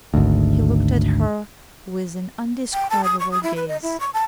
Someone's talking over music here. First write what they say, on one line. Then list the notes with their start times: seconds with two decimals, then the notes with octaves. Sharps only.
He looked at her with an indescribable gaze.
0.14 G#1 D2
2.73 G5
2.90 A5
3.04 D#6
3.20 C#6
3.31 D#6
3.43 E4
3.56 B4
3.68 D#5
3.82 E4
4.00 C#6
4.14 A5